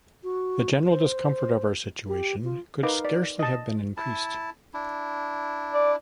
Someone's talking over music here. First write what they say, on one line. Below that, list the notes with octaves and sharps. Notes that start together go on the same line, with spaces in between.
The general discomfort of our situation could scarcely have been increased.
F#4
C5
G4
F4
D#4 A#4 B4 F5 D6
D5
D#5 A5
E4 A5
D4 E4
D5